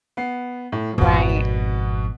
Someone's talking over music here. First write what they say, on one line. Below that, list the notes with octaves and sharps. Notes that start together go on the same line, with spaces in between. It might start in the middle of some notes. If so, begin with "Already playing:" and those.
Right, mm.
B3 C7
A2
G#1 F2 B2 B3